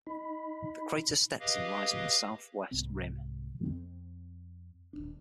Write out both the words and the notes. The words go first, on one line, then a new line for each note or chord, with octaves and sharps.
The crater Stetson lies on the southwest rim.
D#4 B5
G4 G#4 B4 D#5 F5
C2 G#2 C3 C4
F2 C4
D#1 G#1 D4